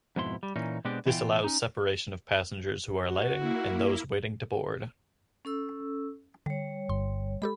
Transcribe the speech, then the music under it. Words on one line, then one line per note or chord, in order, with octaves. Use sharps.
This allows separation of passengers who are alighting and those waiting to board.
F2 G#2 B2 E4 C6
G3
A#2 E3 C#4 D#4
B2 G#3 B3 C4 D4 G4
B2 E3 E4 F4 G5
C#4 D#4
F#4
A#3 E4
C#4 A4 E6
D3 G3 C#5
G1 C6
G#3 G4 A4 B5